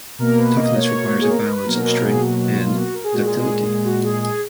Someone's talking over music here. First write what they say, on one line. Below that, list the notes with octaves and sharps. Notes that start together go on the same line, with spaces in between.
Toughness requires a balance of strength and ductility.
B2 A#3 A#4
B4
D#5
C#5
G#4
A#4
B4
B2 F#3 A#3 A#4
A#4
G#4
F#4
F#4
F4
F#4
A#4
G#4
A#2 G#3 F#4
G#4
F#4
G#4
G#4